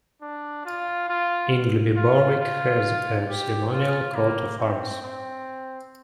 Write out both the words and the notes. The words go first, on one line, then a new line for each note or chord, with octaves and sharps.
Ingleby Barwick has a ceremonial Coat of Arms.
D4
F4
F4
F4
F4
G4
F4
A#3
C4
C4